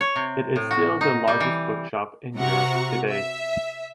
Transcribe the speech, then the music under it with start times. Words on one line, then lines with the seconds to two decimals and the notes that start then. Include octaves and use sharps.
It is still the largest bookshop in Europe today.
0.01 C#5
0.16 C3
0.56 A2
0.71 F#4
1.01 D#4
1.28 G3
1.40 E3
2.37 C3 F#4 F#5 A#5 C#6
3.09 E5